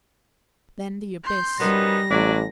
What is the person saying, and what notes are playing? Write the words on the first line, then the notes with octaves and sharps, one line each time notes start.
Then the abyss.
C6 G6
F#2 G3 B3 D#4 A#6
A1 F#3 D5